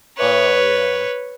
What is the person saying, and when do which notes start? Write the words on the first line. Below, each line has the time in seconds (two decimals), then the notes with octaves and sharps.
Oh, yeah.
0.17 B4 C#5